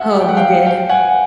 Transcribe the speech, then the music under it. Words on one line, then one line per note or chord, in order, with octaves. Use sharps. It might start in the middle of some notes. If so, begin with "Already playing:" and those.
Oh, we did.
Already playing: E5 F#5
G5
F#5
F5 G5
F5 G5
F#5 G#5